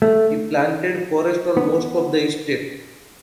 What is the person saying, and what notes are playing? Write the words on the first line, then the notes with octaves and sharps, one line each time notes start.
He planted forest on most of the estate.
A3
B3